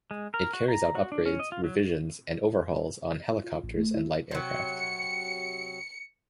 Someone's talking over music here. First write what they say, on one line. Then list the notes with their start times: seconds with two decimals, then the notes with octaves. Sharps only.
It carries out upgrades, revisions, and overhauls on helicopters and light aircraft.
0.11 G#3
0.34 A#4
0.53 F#4
0.68 A#5
0.95 F#4
1.12 D4
1.26 C#4
1.39 D#5
1.52 F4
1.64 F#3
3.44 F4
3.63 A1
3.77 A3
3.94 E4
4.31 C3 F#3 C#7